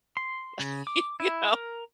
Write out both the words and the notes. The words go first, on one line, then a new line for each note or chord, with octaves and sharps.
Like, you know,
C6
C#3
D6
E4
A#4